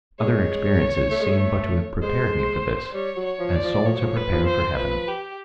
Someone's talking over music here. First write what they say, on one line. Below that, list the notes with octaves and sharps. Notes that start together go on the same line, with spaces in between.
Other experiences seemed but to have prepared me for this, as souls are prepared for heaven.
G#3 C#5
A3
G#3
A3
G#3 C5
G3 C#5
F#3
C#5
F3
D5
F3
F3 C#5
F#3
F3
B4
F3
C5
F3 B4
G4